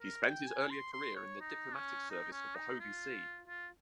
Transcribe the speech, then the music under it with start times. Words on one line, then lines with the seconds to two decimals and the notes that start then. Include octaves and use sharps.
He spent his earlier career in the diplomatic service of the Holy See.
0.01 A#4
0.24 G5
0.48 G#5
0.70 C6
0.93 C6
1.16 C#5
1.41 D#4
1.75 C#4
2.10 D#4
2.32 C#4
2.55 D#4
2.80 F4
3.48 F4